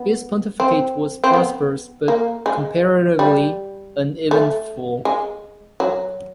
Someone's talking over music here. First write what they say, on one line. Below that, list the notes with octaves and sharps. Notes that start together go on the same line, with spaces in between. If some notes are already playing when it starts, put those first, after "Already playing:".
His pontificate was prosperous, but comparatively uneventful.
Already playing: B3
C4
C4
B3
A#3
G#3
G3
A3
G#3
F#3